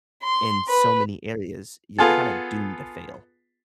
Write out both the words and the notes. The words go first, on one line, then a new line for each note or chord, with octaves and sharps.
in so many areas, you're kinda doomed to fail.
C6
B4
B3 F4 G#4 A4